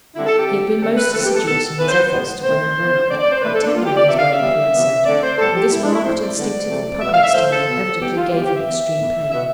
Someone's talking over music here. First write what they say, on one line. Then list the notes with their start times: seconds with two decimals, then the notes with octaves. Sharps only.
He had been most assiduous in his efforts to bring her round; quite tender in his way, Pierre said; and this marked, instinctive repugnance to him evidently gave him extreme pain.
0.14 D3 G3 C4 E4
0.25 A4
0.37 G4
0.47 D3 A3 C4
0.80 D3 G3 C4 A4
0.96 B4
1.12 D3 F3 A3 C4 A4
1.24 G4
1.34 A4
1.45 B2 B3 A4
1.78 E3 B3 B4
1.89 C5
2.11 A2 G3 B3
2.43 B2 A3 C4 C5
2.76 E3 B3
3.09 D3 A3 C4 D5
3.20 D5
3.30 C5
3.41 C3 E3 A3 B4
3.52 A4
3.64 D4
3.74 E3 B3 F4
3.85 G4
3.96 D5
4.07 C3 F3 B3 E5
4.18 F5
4.29 E5
4.40 E3 G3 B3
4.72 C3 E3 B3
5.05 D3 A3 C4 D5
5.22 C5
5.38 A2 G3 B3 A4
5.54 G4
5.70 C3 G3 B3 E4
5.82 D4
5.92 E4
6.03 A2 F3 C4 C5
6.19 D5
6.36 D3 G3 B3
6.68 C3 E3 A3 C4
7.01 B2 B3 E5
7.12 F5
7.23 E5
7.33 A2 F3 A3 C5
7.50 A4
7.67 B2 B3
7.99 E3 G3 B3 G4
8.15 F4
8.32 E3 G3 B3 G4
8.43 G4
8.54 E5
8.65 E3 B3
8.97 A2 E3 B3
9.30 B2 B3 E5